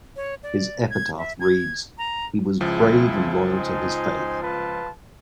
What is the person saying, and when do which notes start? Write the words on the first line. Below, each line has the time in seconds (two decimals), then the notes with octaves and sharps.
His epitaph reads, He was brave and loyal to his faith.
0.16 C#5
0.43 D5
0.90 G#6
1.18 E5
1.40 G#6
1.98 A#5
2.61 C#2 F3 E4 F4 G#4
3.52 D#4 C5 G#5
4.42 F4 B4 A5